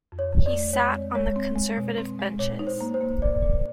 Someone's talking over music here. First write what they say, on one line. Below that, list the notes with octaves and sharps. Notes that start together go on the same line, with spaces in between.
He sat on the Conservative benches.
F2
C#5
F2
D5
A3
G#3 C#5
C4
G#3 C#5
C4
G#3
B2
C4
G#3
A#2 C#5
D#4
C5
A#3
C5
A#3
A#2 D5
A#2